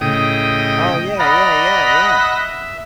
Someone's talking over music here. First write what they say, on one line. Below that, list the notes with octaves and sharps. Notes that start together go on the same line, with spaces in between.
Oh, yeah, yeah, yeah, yeah.
A2 C#3 D#5 G5 D#6
D5 D#5 F#5 A#5 B5 F6
E5